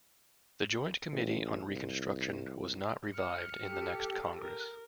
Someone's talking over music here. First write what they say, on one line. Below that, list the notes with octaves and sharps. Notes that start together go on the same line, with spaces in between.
The Joint Committee on Reconstruction was not revived in the next Congress.
A1
C2
F6 C#7
G4 A4
A#4